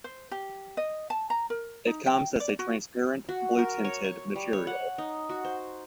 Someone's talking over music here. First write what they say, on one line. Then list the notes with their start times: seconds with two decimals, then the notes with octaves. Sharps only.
It comes as a transparent blue-tinted material.
0.04 C5
0.31 G4
0.77 D#5
1.10 A5
1.30 A#5
1.50 A#4
1.87 D#4
2.07 G5
2.40 D5
2.59 F#4
3.29 F#4
3.58 A#4
3.85 C#5
4.04 C#6
4.36 G3
4.53 C#5
4.67 F#5
4.98 D#4
5.29 F#4
5.45 C5